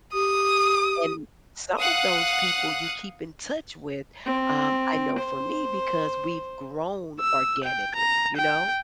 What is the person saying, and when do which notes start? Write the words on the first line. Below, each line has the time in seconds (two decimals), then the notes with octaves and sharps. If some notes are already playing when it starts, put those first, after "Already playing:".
And some of those people you keep in touch with, um, I know for me, because we've grown organically. You know?
0.13 G4 D#6
1.81 F5 F#5 D#6 F#6
4.26 C4
5.18 C5
7.21 E6
7.64 G5
7.96 A#5
8.36 G5